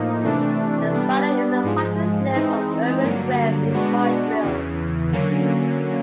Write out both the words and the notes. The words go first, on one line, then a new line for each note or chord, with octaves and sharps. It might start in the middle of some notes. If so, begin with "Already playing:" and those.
The following is an partial list of urban squares in Montreal.
Already playing: A2 F3 A#3 D#4
C3 E3 A3 D4
G3 B3 D4
G#2 F3 G#3
E3 G#3 C4 D#4
G2 D3 F#3 A#3
B2 G#3 B3 D4 F#4
E2 C#3 E3
D3 F#3 A#3 C#4